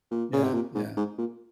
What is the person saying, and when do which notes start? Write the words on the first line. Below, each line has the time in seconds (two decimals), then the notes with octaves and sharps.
Yeah, yeah.
0.11 A#2
0.33 C#3
0.43 C3
0.54 A#2
0.75 G#2
0.97 G#2
1.18 A#2